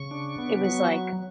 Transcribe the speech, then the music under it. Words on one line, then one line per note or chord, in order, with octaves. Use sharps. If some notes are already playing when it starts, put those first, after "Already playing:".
it was like
Already playing: C#3 C#6
D4
B3
F#3 C#6